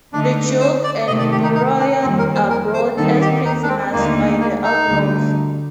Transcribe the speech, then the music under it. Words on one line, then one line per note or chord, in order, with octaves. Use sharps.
The Duke and Thurio are brought as prisoners by the outlaws.
D3 A3 D4 D#4
C5
D5
C3 D#3 A3 D#5
D5
G4
D#4
D#4
D4
F2 D#3 G3 A#3 C4
A#4
C5
A#4
C5
D#2 D#3 G3 C4 D#4 A4
G4
D#4
D4
C4
D#2 D3 A3 A#3 D#4
A#3
D#4
D2 D3 G3